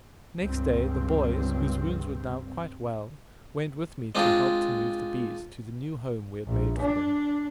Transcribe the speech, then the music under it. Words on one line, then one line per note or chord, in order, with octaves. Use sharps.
Next day, the boys, whose wounds were now quite well, went with me to help to move the bees to the new home we had made for them.
C#2 G2 C4
G#3 C4 D4 F4
A#1
D4